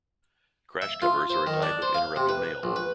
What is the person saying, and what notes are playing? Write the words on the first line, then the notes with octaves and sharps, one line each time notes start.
Crash covers are a type of interrupted mail.
E5
F4
C5
D#3
D4
C5
F5
C3
B4
A#1
B4